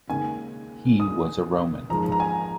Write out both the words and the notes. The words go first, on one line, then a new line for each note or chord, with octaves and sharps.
He was a Roman.
D#2 C#3 G#3 G#5
D#6
G#1 G#2 F3 G#3 A#5
A#5
G#5